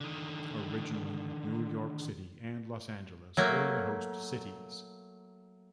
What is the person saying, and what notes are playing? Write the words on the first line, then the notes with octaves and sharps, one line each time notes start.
Originally New York City and Los Angeles were the host cities.
D3 D#3
F#3 A3 A#3